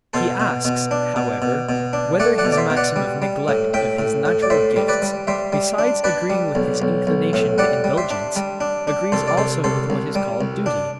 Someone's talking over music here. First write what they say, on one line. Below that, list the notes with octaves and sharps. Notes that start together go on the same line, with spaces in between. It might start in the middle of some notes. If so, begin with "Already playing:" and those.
He asks, however, whether his maxim of neglect of his natural gifts, besides agreeing with his inclination to indulgence, agrees also with what is called duty.
B2 A4 C5
B2
B2
D4
B2
B2
B2
D4
A3 D5 F#5
D5 F#5
B2
D5
C5 E5
B2
D5 F#5
G3
G3
A2
A2 E5 G5
A2
A2
D5
A2 C5 E5
G3
B4 D5
G3
G3 C5 E5
G3
D4
D4 B4 D5
G3
B1
B1
B1
A2
G3 D5 F#5
G3
C5 E5
D4
G3
D4
D4
C2 A4 C5
D5
C2 A4 C5
C2 A4 C5
C2
G3
C2
D4